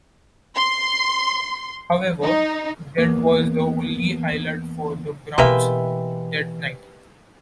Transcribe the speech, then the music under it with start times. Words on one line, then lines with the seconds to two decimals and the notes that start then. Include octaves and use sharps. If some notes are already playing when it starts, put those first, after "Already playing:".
However, that was the only highlight for the Browns that night.
0.55 C6
2.23 D#4
2.98 E2 A#3 B3
5.38 B2 E3 G#3 A#3 G4 B4 E5